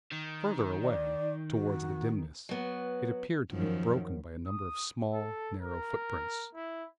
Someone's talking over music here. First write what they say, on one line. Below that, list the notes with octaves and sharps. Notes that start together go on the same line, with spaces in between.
Further away towards the dimness, it appeared to be broken by a number of small narrow footprints.
D#3
D5
F#4
F#3 B3
F#2 D#3 F3
D#6
A4
A#4
E4